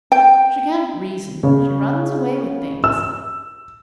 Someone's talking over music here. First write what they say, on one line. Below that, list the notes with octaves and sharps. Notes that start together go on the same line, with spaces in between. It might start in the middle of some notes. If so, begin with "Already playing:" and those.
She can't reason; she runs away with things.
G5
C#3
E6